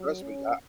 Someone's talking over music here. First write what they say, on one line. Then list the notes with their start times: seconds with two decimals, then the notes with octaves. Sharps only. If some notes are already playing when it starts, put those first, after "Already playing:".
Trust me. I
Already playing: F#3
0.22 C#4